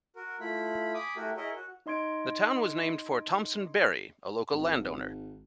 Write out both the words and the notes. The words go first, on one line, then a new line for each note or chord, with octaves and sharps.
The town was named for Thompson Berry, a local landowner.
F#4 A#4
A3 E4 F4 B5
G#5 B5 D6 D#6
A3 E4 F#4 G4 A#4
E4 G#4 A#4 C#5 D#5 E5
F#4
D#4 D#5 C6 G#6 D7
G#1